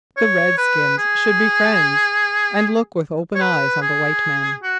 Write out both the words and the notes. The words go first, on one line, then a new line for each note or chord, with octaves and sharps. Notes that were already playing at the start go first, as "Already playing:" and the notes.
The red-skins should be friends, and look with open eyes on the white men.
C#5
B4
G#4
C#5
B4
G#4
F#4